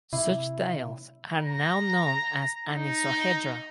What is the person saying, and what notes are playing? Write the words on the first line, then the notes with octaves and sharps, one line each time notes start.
Such tiles are now known as anisohedral.
C3 E4
A#5
D#4